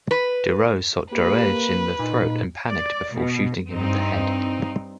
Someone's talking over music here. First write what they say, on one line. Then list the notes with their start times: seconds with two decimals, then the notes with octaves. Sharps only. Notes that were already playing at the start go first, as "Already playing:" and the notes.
Deroux shot Droege in the throat, and panicked before shooting him in the head.
0.11 B4
1.13 A#3 G4 B4
1.99 A#2 D#4
2.68 D5
3.12 B2
3.73 G2 C4 D#4